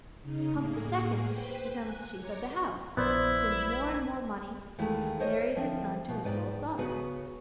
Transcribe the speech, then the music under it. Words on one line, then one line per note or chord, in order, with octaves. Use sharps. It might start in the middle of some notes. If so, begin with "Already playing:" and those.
Pump the Second becomes chief of the house, spins more and more money, marries his son to an Earl's daughter.
C#3 D#4
A2 A#3 G#4
B4 C5 G5
G#5 F#6
C#5 A#5 D6
A#1 B3 E4 C5 D5
D#2 E3 G#3 A3 E4
A#4 C5 C#5 D#5
D3 F3 C4 E4
B2 F3
G#2 B4 D5 G5
C#3 B3 F#4 B4